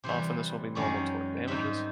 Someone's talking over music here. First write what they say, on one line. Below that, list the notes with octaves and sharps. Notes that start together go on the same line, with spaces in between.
Often this will be normal tort damages.
C3 E3 G3 C5
F#2 D#3 G#3 C#4 D5
G#2 D#3 G3 C4 D#4 E5